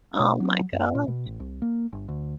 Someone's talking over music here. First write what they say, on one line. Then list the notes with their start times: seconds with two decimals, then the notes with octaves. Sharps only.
Oh my gosh.
0.20 B2
0.40 F#3
0.72 F#2
0.95 A#2
1.08 B2
1.26 A1
1.40 C2
1.62 A#3
1.93 G1
2.09 D2